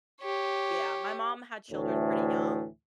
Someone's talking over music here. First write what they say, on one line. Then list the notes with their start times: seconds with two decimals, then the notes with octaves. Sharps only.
Yeah, my mom had children pretty young,
0.22 G4 C#5
1.69 D2 A2 E3